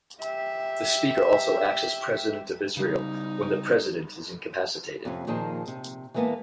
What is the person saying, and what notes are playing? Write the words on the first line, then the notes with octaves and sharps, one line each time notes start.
The Speaker also acts as President of Israel when the President is incapacitated.
G4 E5
C#3 G3 D#4
F2 C3 C#4
A#2 D#3 F3 G#4 A#4 A5
C3
E3 G#3 A#3 B3 B4 A5